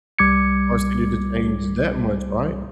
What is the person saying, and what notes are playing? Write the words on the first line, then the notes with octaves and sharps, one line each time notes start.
our city to change that much, right?
C2 G3 D6 G#6 C#7